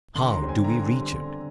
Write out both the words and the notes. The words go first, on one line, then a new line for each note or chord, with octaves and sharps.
How do we reach it?
D3 C6
A#5
G3 C4
G#5
D3 A#5
G3 C4
D3